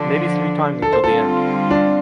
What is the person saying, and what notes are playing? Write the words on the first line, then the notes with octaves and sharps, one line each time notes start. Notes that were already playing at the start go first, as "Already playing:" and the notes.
Maybe three times until the end.
Already playing: D3 F3 D4 A4
A4
C5
D3 G3 C4 F4 A4
D4